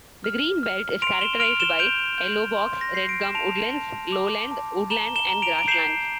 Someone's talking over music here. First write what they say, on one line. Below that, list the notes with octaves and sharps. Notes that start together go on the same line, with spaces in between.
The green belt is characterised by Yellow Box-Red Gum Woodlands, lowland woodland and grasslands.
F6
F6
C6 D7 F7
E7 G7
F6 D7 F7
E7 G7
G6 D7 F7
G6
C6
A#6
G6 C7
D7
E7
A5 D7 F7
A5
D6
A5
A#5 E7 G7
E7 G7
A#5
D7 F7
D7
G6 C7 E7